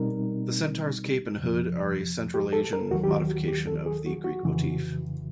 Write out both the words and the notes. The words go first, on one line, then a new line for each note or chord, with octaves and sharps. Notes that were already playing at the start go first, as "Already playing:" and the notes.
The centaur's cape and hood are a central Asian modification of the Greek motif.
Already playing: B2 G3 C4 D#4 A#4
F2 C3 F3
G4
A4
A#4
D#2 D#3 F#3 F#4
G4
F#4
G4
A4
G#4
F#4
F#4
F2 C#3 E3